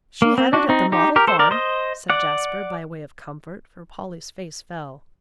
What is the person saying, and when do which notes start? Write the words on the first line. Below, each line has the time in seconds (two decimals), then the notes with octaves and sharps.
"She had it at the 'Model Farm,'" said Jasper, by way of comfort, for Polly's face fell.
0.22 A#3
0.38 C4
0.53 D4 F#4
0.69 C4 D#4
0.92 D#4 G4
1.16 G4 A#4
1.27 A4 C5
1.39 A#4 D5
1.51 C5 D#5
2.10 D5 F#5